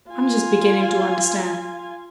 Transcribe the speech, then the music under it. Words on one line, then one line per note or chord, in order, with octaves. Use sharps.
I am just beginning to understand.
F4 G#5